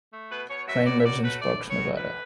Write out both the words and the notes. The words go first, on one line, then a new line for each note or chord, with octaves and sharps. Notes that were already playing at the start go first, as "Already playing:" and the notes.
Crane lives in Sparks, Nevada.
A3
B2 B4
B2 C#5
F#3 E5
A2 D5
E5
F#3 D5
A3 B4
A2 D5
A2
C#5
F#3
A2 B4